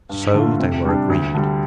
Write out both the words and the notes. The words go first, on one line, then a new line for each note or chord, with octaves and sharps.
So they were agreed.
G2
D3 A3 F4
C3
G3 D4
D2
D3 G3